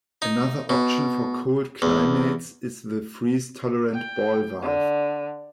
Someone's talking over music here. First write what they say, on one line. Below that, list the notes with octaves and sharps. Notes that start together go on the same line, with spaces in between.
Another option for cold climates is the "freeze tolerant ball valve".
D#4
B2
E2
G5
D3